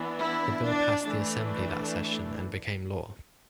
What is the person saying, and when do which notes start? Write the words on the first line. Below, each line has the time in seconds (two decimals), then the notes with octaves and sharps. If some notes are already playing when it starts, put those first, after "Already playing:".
The bill passed the assembly that session and became law.
Already playing: E3 B3 D4
0.19 E4
0.62 D4
1.04 E3 A3 D4